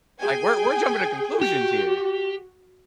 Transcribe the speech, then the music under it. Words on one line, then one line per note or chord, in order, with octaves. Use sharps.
Like, we're we're jumping to conclusions here.
G#4 G5 G#5
F#4 G4